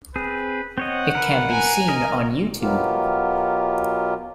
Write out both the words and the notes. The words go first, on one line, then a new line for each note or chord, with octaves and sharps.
It can be seen on YouTube.
C4 G#4 B4
C4 C#5 D#5 F#5
A#4 B4
G#5 A#5
A#4 D#5
B2 F#3 B3 F4 G4 A#4